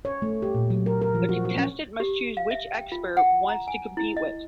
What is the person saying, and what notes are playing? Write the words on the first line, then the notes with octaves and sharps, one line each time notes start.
The contestant must choose which "expert" wants to compete with.
C#5
A3
G4
A#2
F#3
A#4
A#4
F3
F#4
F#4
C#4
G4
F5
E5
G5
F4
F#5
A#5
G#5
E4
D#5